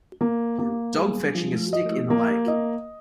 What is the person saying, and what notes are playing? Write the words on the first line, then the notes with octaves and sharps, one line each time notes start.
Dog fetching a stick in the lake.
A#3
A#3
G#4
F3
D#5
A#3
D#5